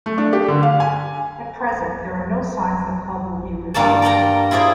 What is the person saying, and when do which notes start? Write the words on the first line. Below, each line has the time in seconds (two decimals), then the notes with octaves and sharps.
At present there are no signs the club will be revived.
0.06 A3
0.18 D4
0.33 G4
0.48 D3
0.63 F5
0.80 G#5
3.74 G2 A#3 D5 A5
4.02 A#4 D5 G5 A#5
4.51 E4 F4 G#4 C5 D5